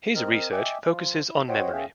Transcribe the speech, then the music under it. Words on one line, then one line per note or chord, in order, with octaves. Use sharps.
His research focuses on memory.
C4 A#4 D#5 F6
D#5 E5 G5 G#5 D6 E6
F3 F4
E4
F#4 C5 C#5 D#5 F#5 G5
C#4 G#4 E5 F5 G5